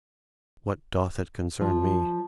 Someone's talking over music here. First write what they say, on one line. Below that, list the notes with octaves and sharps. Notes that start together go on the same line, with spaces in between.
What doth it concern me?
F3